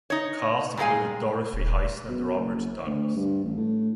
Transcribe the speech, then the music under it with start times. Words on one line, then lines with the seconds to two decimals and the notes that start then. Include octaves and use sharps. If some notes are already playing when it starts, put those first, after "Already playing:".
The cast included Dorothy Hyson and Robert Douglas.
0.10 D#4 C#5
0.77 A#2 G3 G#3 C5 F5 G#5
1.53 D#1
2.09 B2
2.38 F#1
2.86 D2
3.16 G2
3.44 A1
3.57 A2